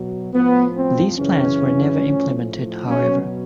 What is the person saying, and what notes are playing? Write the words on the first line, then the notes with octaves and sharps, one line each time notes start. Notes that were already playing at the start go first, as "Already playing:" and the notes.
These plans were never implemented, however.
Already playing: B2 F#3
A2 F3 B3
C4
F#2 C#3 E3 C#4
A2 F3
B2 F#3 C#4